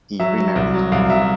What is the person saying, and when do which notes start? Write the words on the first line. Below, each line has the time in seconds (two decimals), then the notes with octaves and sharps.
He remarried.
0.20 F#3 E5
0.38 F#3
0.56 C2
0.74 F#3
0.92 C2 F5
1.10 F#3 E5